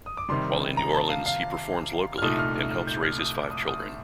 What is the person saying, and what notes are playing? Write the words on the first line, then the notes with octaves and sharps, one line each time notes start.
While in New Orleans he performs locally and helps raise his five children.
D#6
D6
C3 D#3 G3 C6
A#5
A5
F5
F5
F6
C2 A#2 A3 D#4 D#6
F6
F6
F6
G6
F6
D#6
D6
D#6
D#6